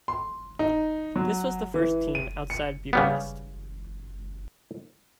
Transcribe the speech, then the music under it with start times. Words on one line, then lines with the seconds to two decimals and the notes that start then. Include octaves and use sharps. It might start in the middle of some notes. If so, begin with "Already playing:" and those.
This was the first team outside Bucharest.
0.08 C6
0.59 D#4
1.16 F#3
1.74 E3
2.15 D#7
2.50 C#7
2.93 C#3 G3 B3